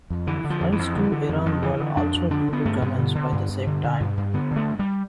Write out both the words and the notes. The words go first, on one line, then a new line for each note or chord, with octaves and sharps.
Flights to Iran were also due to commence by the same time.
F2
D3 E3
D3
F3
F2
E3
F2
D3
D3
F2
F2
D3 E3
D3
F2 D4
F2
D3 D4
D3 B3
G2 A3
B3
G2
D3
D3
G2
G2
D3
D3
G2
G2
D3 B3
D3
A3
G2
G3